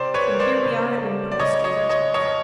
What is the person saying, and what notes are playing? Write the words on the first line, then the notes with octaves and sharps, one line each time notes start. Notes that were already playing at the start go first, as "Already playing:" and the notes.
And here we are at Wimpole Street.
Already playing: C3 C5 D5
B4 C#5
A#3
C5 D5
C#3
A3
D5
C#3 C#5 D#5
C#5 D#5
G#3
C#5 D#5
F2 C#5 D#5